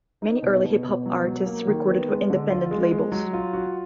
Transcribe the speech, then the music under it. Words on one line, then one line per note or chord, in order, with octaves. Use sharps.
Many early hip hop artists recorded for independent labels.
D#4
B2
B2
B2
F#3
F#3
A#3
D#3
B3
G#3
D3
F4
G#3
G#3
F#3
F4
F#4